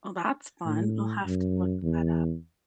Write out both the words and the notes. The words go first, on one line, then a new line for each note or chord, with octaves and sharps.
Oh, that's fun, I'll have to look that up.
A2
F#2
E2